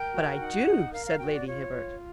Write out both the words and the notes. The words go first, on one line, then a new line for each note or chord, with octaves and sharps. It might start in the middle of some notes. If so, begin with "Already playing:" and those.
"But I do," said Lady Hibbert.
Already playing: A#4 G5
F#4
D#4 F#5
D#4
A#4 F5
F5
F#4 G5
D5
F4 C#5
F4